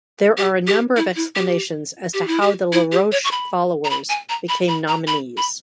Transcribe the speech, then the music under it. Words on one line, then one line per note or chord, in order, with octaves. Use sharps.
There are a number of explanations as to how the LaRouche followers became nominees.
G4
G4
E4
E4
G4
G4
E4
G4
E4
G4
C#5
C#6
B5
A#5
B5
G#5
A#5
B5
B5
A#5
B5
B5